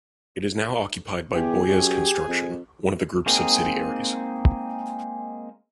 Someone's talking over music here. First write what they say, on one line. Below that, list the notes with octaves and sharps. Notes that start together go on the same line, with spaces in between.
It is now occupied by Bouygues Construction, one of the group's subsidiaries.
E2 G4 G#4
F#2
F2
G#3 A#3 C4 D#4 G#4